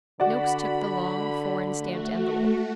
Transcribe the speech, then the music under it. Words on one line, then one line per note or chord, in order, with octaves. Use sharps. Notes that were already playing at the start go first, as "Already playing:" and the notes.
Noakes took the long, foreign-stamped envelope.
D3 F#4 D5 B5
A3 F#4